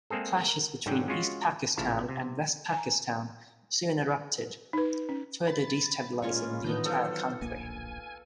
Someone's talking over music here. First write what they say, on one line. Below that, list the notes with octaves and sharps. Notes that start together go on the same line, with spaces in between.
Clashes between East Pakistan and West Pakistan soon erupted, further destabilising the entire country.
G#3 A#3 C4 G#4 A4
A#4
G#2 D3 F#3 F#5 G5
G#3 C#4 F4 F#4
A1 A#2 C#3 E4 F5 A5
C3
G#5 A#5
D#4 B4
C#4
B5 A6
A#2 G#3 A#3 C#4 F4 C#6
D#3 E3 B3 D4 D#4 F4 G6
F#3 A4 C5 F5
D1 A#1 A#3 G#5